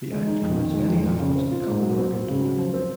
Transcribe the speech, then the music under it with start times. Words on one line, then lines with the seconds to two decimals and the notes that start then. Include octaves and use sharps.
The Act permits any adult to become an organ donor.
0.12 G#3
0.27 D#4
0.42 F2
0.57 D#3
0.74 G#3
0.88 F2
1.04 F2
1.19 C#3
1.35 C4
1.51 F4
1.67 G#2
1.82 F#3
1.97 C4
2.13 F#4
2.28 C#3
2.44 F#3
2.59 F3
2.74 C4